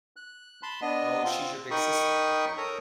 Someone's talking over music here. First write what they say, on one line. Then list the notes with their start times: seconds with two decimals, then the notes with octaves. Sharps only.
Oh, she's your big sister, okay.
0.16 F#6
0.63 A5 B5 C6
0.82 B3 D4 D#5
1.24 C4 F4
1.71 D#4 A#4 G5 B5 C#6 D#6
2.57 A4 A#4 C#5 A#5 D#6